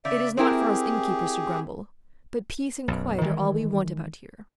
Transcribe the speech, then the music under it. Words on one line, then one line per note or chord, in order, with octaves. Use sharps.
It is not for us innkeepers to grumble, but peace and quiet are all we want, about here.
C#3 D5 E5
C4 E4 G4 G#4 A#4
B1 F#2
D#3 E3 G#3